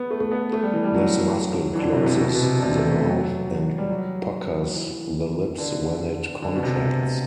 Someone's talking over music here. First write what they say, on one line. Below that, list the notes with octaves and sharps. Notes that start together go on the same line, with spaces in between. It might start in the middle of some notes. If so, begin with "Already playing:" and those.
This muscle closes the mouth and puckers the lips when it contracts.
Already playing: B3
A3
A3
B3
A3
G3
E3
G3
F#3
E3
D3
C3
B2
C3
B2
B2
C3
D3
C3
A3
A3
F#3
G3
F#3
E3
D3
D3
B2
C3